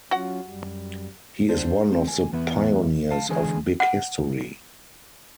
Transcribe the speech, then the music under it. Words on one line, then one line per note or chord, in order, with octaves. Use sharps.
He is one of the pioneers of big history.
F#3 C#4 F4 F#4 F#5
F#2 G3
D4 C5
C4
G#5
E2 B3 E4
F5 A5
D3 E3 G#3 G#4 G#5
F#5